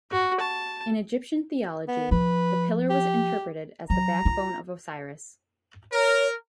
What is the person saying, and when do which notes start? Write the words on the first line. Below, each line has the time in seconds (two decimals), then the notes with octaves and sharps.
In Egyptian theology, the pillar was interpreted as the backbone of Osiris.
0.12 F#4
0.40 A5
1.88 B3
2.11 F3 B4
2.90 G4
3.90 F#3 A#5
4.25 F4
5.93 A#4 C#5